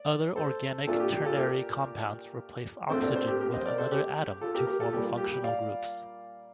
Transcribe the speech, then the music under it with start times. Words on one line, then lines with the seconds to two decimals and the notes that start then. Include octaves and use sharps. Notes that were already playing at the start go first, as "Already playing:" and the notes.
Other organic ternary compounds replace oxygen with another atom to form functional groups.
Already playing: D5
0.36 A4 C5
0.87 A#2 A3 D4 F4 A4
1.00 G4
1.12 G4
1.25 F4 A4
1.37 G4 A#4
2.89 A#1 A2 A3 C4 A4 C5
3.03 A#4 D5
3.16 A4 C5
3.27 G4 A#4
3.41 G4 A#4
3.53 C5 D#5
3.65 A#4 D5
3.78 A4 C5
3.92 G4
4.41 F4 A4
4.55 G4 A#4
4.67 G4 A#4
4.80 F4 A4
4.93 A#2 G3 A#3 G4
5.05 F4
5.17 G4
5.31 G4
5.43 D5 F5